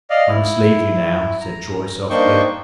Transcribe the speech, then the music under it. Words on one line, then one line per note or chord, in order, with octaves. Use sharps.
"I must leave you now," said Troy, softly.
D5 D#5 F5
E4
A#5
A#3 D4 D#4 C5 G5 C#6